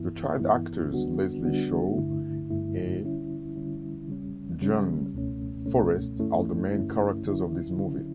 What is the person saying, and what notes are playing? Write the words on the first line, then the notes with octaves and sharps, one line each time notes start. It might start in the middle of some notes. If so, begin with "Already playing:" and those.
The child actors Leslie Shaw e Jean Forest are the main characters of this movie.
Already playing: G2 E3 B3 E4
G2 E3 B3 E4
D3 G3 B3 D4 F#4
D3 G3 B3 D4 F#4
G2 D3 A3 E4
G2 D3 A3 E4
D3 G3 C#4 E4
D3 G3 C#4 E4
C#3 G3 C#4
C#3 G3 C#4
C#2 B2 A3 C#4
C#2 B2 A3 C#4
G2 D3 A3 C#4 E4
G2 D3 A3 C#4 E4
D3 F#3 C#4 E4
D3 F#3 C#4 E4